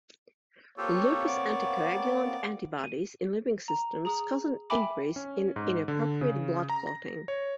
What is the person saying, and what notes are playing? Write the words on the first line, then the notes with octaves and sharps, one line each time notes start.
Lupus anticoagulant antibodies in living systems cause an increase in inappropriate blood clotting.
A#3 C4 F4 G4 A4 C#5
B3 D5 D6
D#7
A#5
G#4 A#5 D#6
E5 G5 G#5 B5 D6
C#4
G#2
D3
C#3
A#5
A#6
C#5